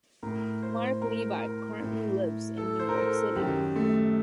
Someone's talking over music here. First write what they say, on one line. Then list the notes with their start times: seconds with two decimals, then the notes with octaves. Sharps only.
Marc Levy currently lives in New York City.
0.23 A2 A#4
0.63 C5
1.02 A#4
1.40 A#4
1.80 A2
2.57 A4
2.79 C5
2.89 A#4
2.98 A4
3.36 F#2 G4
3.41 D#3
3.76 A3